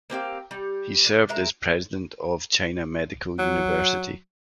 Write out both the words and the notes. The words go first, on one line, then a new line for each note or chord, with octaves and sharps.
He served as President of China Medical University.
A#3 C4 G4 F5
G3
D3
G#3 A#4 E5 A#5
F#3